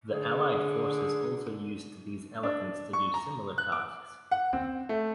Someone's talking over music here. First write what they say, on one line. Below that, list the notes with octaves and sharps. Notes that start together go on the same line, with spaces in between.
The Allied forces also used these elephants to do similar tasks.
D3 G#4
D4
C#6
A#5
F#6
D6
F#5
C4
A3